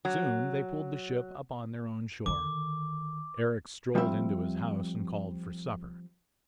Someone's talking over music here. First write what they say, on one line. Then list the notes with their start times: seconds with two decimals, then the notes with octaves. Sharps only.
Soon they pulled the ship up on their own shore. Eric strolled into his house and called for supper.
0.05 F#3
2.26 D3 D#3 D6
3.95 F3 G3 C4 E5